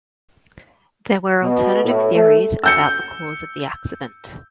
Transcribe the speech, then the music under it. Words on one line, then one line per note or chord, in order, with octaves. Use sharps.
There were alternative theories about the cause of the accident.
B2
A2
A3
E6 G6 C#7